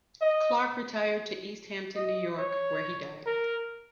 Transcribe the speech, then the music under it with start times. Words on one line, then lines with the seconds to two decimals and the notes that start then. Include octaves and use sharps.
Clark retired to East Hampton, New York, where he died.
0.22 D#5
1.96 D#5
2.38 C#5
3.26 A#4